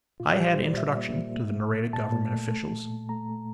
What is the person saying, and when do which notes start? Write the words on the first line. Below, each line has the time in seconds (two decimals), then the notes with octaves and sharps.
I had introduction to the Nareda government officials.
0.20 A#2 F4
0.34 G3 G4
0.48 C5
0.58 A#2
0.63 D5
0.77 A#2 E5
0.97 A#3
1.16 A#3
1.36 A3
1.55 A#2
1.74 A#2
1.93 A#2 A5
2.12 A#2
2.32 A3
2.51 A3
2.70 A#2
2.90 A#2
3.09 A3 A#5
3.29 A3